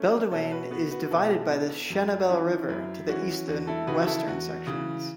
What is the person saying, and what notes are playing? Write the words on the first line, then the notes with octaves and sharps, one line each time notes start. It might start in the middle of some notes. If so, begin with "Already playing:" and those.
Beledweyne is divided by the Shebelle River into eastern and western sections.
Already playing: A3 C#4
B2 A4 C#5
F#4 B4
B3 F#4 B4
F#4 B4
B2 E4 A4
B3
F#2
E3 C#4
F#2 E4
E3 C#4 F#4
E2 F#4
E4 A4
C#3 E3 F#4 B4
E4 A4
E2 F#4
C#3 E3